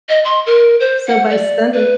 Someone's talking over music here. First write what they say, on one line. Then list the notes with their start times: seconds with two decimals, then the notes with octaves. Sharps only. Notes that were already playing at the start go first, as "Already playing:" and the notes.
So, by Sunday
0.09 D#5
0.25 C6
0.46 A#4
0.80 C5
1.08 F#5
1.30 D5
1.73 B4